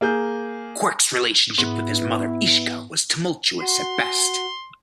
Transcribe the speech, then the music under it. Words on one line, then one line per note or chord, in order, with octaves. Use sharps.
Quark's relationship with his mother Ishka was tumultuous at best.
A#3 G#4 G6
G#2 B3 E4
F#4 C6